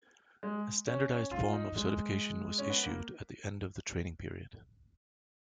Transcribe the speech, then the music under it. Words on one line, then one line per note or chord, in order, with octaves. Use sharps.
A standardised form of certification was issued at the end of the training period.
G#3
C#4
C#4
F4
D#4
G#3
C#4
B3
A#3